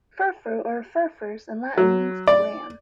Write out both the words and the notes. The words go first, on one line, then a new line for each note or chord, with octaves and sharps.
'Furfur' or 'furfures' in Latin means "bran".
F#3
D5